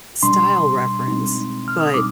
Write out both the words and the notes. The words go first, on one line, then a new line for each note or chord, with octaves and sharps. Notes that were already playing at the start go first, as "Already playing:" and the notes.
style reference, but,
B2 G3 D4 C6
B2 G#3 C4 D#4
F6
D#6
B2 G3 C4 D#4 D6